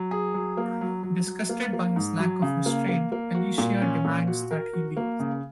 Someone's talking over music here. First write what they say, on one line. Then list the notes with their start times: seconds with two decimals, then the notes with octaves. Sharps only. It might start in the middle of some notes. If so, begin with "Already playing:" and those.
Disgusted by his lack of restraint, Alicia demands that he leave.
Already playing: F#3
0.11 G#4
0.34 F#3
0.57 A#3
0.81 F#3
1.03 F#3
1.27 F#3
1.49 A#3
1.73 A#3
1.96 G#2
2.19 F#3
2.42 C#3
2.66 A#3
2.89 A#3
3.12 A#3
3.35 F#4
3.58 A#2
3.81 C#4
4.04 A#2
4.27 F#4
4.51 A#4
4.73 F#4
4.97 A#3
5.20 C#3